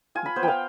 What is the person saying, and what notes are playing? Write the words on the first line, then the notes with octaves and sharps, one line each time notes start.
Mm, well
F4 G#5
B5
B3 C5
F5 G5